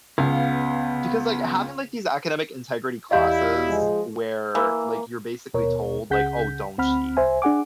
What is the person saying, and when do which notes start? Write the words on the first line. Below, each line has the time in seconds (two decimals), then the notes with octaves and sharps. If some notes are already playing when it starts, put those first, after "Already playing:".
because, like, having, like, these academic integrity classes where, like, you're basically told, like, "Oh, don't cheat,"
0.18 C#2 B3 F5
3.11 E2 E4 G4 D5 D#5 F5 G6
3.68 F3 G#3
4.55 E3 A#3
5.54 D#2 B2 A#4 C#5
6.10 C#2 C#3 G#4 F#5 G6 B6
6.78 D2 C4 F#5 B5 F6
7.17 C2 C5 E5 G#5
7.42 D4 G#4 F#5 G#5 D6